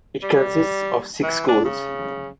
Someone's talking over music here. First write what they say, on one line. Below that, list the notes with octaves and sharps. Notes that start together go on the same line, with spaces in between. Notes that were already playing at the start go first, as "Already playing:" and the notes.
It consists of six schools.
G3
E3
D4
C#3